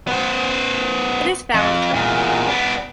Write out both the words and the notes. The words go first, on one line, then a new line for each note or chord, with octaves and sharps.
It is found in Turkey.
B3 C5
F2
E2 A#2
B3 D4